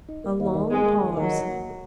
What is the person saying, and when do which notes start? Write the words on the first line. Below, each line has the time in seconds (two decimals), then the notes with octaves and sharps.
A long pause.
0.09 D#4
0.24 A#3
0.40 D#2
0.55 D#3
0.71 G#3 D#4
0.86 A#3
1.02 D#2
1.17 D#3 F#3
1.32 D#4
1.48 A#3